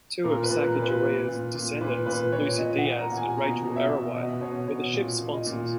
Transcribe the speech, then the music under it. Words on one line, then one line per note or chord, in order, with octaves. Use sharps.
Two of Sacagawea's descendants, Lucy Diaz and Rachel Ariwite, were the ship's sponsors.
A#2 A#4
B4
A#2
A#4
A#2
B4
A#2
A#2
A#2
A#2 B4
A#2 B4
A#2 C#5
A#2 D#5
F#5
A#2
A#5
A#2
G#5
B2 A#5
B2
E5
B2
B2 D#5
B2 C#5
B2 C#5
A#2
A#2
D#5
A#2